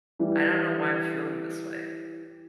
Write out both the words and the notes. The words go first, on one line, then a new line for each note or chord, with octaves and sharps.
"I don't know why I'm feeling this way,
E3 G3